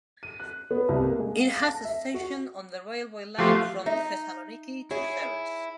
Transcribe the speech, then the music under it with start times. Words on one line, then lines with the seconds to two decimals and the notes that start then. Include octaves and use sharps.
It has a station on the railway line from Thessaloniki to Serres.
0.23 D#7
0.40 F#6
0.71 B3
0.89 C2
1.04 A#3
1.19 G#3
1.36 F5
1.56 A#6
1.68 A5
1.85 E5
2.14 F#4
3.39 F3 A3 F#4 G4 C6
3.86 D#4 D#5 E5
4.91 E4 G#4 C#5